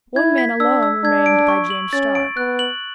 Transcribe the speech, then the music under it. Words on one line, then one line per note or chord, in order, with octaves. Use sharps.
One man alone remained by James Starr.
E4 G#6
B6
D4 E6
E6
D4 G#6
D7
C#6
F#7
C#4 A6
D7
B3 F#6
F#7